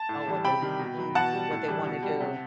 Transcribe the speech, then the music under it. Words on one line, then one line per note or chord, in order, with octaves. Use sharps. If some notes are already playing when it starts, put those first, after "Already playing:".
Now what they Mhm, what they wanna do.
Already playing: A5
A2
E3 G3
C3 G5 B5
D#3 G3
B2
F#3
B2 F#5 A5
G3
A2
E3 G3
B2
G3
C3